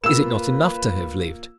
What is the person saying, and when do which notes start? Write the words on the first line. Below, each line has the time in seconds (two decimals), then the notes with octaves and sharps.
Is it not enough to have lived?
0.04 A#3 F4 B4 E6 E7